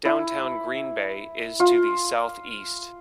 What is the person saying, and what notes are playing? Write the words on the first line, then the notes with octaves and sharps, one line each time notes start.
Downtown Green Bay is to the southeast.
E4
F4